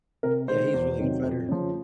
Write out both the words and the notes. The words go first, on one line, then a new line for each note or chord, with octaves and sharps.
Yeah, he's a really good fighter.
C3 A#4
D#3 G#3 C5
E2
C3 D#3 F#3
F2
C#3 F3